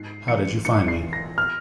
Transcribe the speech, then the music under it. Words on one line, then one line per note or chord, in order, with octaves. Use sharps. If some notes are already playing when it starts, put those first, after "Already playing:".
How did you find me?
Already playing: G#2 C7
E3 C#7
G#2 C#7
C7
E3
A#6
F6